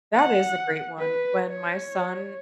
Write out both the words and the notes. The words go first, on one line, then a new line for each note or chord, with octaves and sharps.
That is a great one. When my son
F#5
B4
C#5